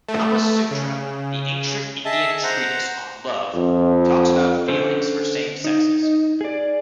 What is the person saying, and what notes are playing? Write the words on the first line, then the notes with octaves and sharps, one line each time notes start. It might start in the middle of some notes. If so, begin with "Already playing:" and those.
Kamasutra, the ancient Indian treatise on love talks about feelings for same sexes.
A3
C#3
G#4 D#5 E5 A5
C5 F#5 A#5
F2
D3 C#4 A4 C5
D#4
G#4 D5